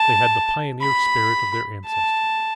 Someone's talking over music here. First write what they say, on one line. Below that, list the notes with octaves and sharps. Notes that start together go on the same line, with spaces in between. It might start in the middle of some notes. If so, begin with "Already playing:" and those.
They had the pioneer spirit of their ancestors.
Already playing: A5
B5
A5